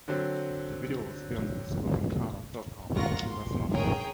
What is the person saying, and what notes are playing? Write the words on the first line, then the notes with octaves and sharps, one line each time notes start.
The video was filmed in the suburban town of Feltham, in west London.
D3 F#3 C4
F#2 F4 A#4 F#5 C#6 A#6
C2 G2 C6
G#4 A#4 C#5 G5